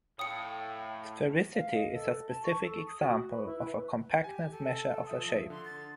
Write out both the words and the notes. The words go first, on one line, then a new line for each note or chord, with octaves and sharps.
Sphericity is a specific example of a compactness measure of a shape.
A2 F5 G5 D#6 C#7
F5
D#5
A4
A5
C#6
A4
D#6
F#4
B4
E4
B4
G4 G#5
A4
F3 E5 D#6
D3 C6
A6